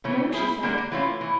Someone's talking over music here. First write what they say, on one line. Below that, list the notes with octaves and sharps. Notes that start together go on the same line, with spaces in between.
"No," she said.
C#3 E3 A3 C#4
G3 C4 E4 G#4
D3 G3 A#3 D4
E3 A3 C#4 F4
E3 A3